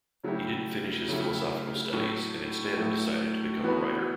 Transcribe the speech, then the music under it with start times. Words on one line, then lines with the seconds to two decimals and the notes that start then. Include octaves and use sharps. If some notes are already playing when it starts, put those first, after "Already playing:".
He didn't finish his philosophical studies and instead decided to become a writer.
0.24 C#3 F#3 A3 E4 G4
1.08 C#3 F#3 A3 E4 G4
1.93 A2 F#3 A3
2.78 A2 F#3 A3
3.63 E3 B3 F#4 B4